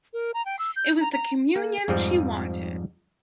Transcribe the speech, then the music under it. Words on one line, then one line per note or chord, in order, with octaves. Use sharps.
It was the communion she wanted.
A#4
A#5
G5
E6
G6
A#5
A#5
A#3
F2 G#2 F3 G3 C4